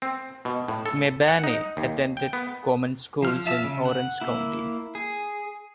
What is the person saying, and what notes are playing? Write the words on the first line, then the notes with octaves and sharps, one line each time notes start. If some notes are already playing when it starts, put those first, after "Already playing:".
Mebane attended common schools in Orange County.
C4
B2
A2
A4
F#5
D#4
D#2
G5
B3
F3 F6
F4 E5 A5 E6
C#3
F#5
A#3 E4
G#4